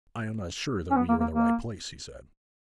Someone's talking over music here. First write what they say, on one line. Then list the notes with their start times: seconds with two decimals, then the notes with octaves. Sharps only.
'I am not sure that we are in the right place,' he said.
0.91 C#4
0.97 B3
1.09 A#3
1.20 A#3
1.32 A#3